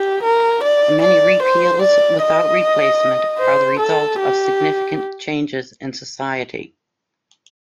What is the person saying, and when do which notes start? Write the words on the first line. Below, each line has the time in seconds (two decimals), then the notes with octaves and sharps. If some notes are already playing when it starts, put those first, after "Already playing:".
Many repeals without replacement are the result of significant changes in society.
Already playing: G4
0.23 A#4
0.63 D5
1.02 D5
1.43 C5
1.82 D5
2.21 D#5
3.39 C5
3.79 A4
4.19 G4